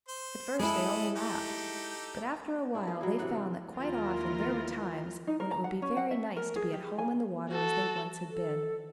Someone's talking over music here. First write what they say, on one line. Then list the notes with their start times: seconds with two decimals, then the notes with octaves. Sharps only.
At first they only laughed, but after a while they found that quite often there were times when it would be very nice to be at home in the water as they once had been.
0.08 C5 C6
0.59 G#3 E4 A4 D#5 B5
1.16 D#4 G4 A4
2.74 D4 E4 G#4
2.87 G#4 F5
3.01 F#3 A#3 E4
3.19 C3 E3 B3 F#5
3.33 C4
3.75 D#2 E4 F4 A#4
5.27 D#4
5.40 A#4
5.51 A#5
5.64 F#5
5.82 C#4
5.97 F#5
6.11 E5
6.36 A#4
6.56 G#4
6.73 G4
6.98 G#5
7.49 F#4 A4
8.31 A4